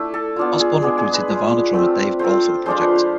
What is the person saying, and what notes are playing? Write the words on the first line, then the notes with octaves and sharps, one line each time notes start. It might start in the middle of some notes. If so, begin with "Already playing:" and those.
Osborne recruited Nirvana drummer Dave Grohl for the project.
Already playing: A3 D4 E4
A4
B3 D4 F4
G#4
G#3 B3 D4 G#4
G#4
B4
G#3 D4 F4
A3 C4 F4
A3 C4 F4 C5
F3 G#3 D4 F4 C5
B4
C5